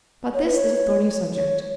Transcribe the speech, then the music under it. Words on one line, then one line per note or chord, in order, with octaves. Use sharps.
But this is a thorny subject.
C#5
B4
C#5
C#5